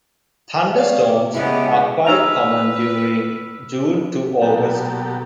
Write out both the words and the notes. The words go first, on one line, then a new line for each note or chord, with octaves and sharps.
Thunderstorms are quite common during June to August.
C#4 C#5 D5 F5
C#3 G#3 B3 E4 G4 G#5
D#4 B4 C#5 A#5 E6 F6 F7
B2 F#3 A#3 G4 A4